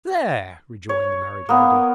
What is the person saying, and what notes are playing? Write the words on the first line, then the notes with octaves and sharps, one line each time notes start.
'There!' rejoined the married lady.
C#5
A#3 B3